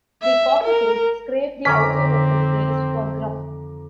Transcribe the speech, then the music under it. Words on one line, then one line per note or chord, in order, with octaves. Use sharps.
The cockatoos scrape the outside of the trees for grub.
E5
A#4
F2 D3 D#3 C4 C#4 A#5 D6 B6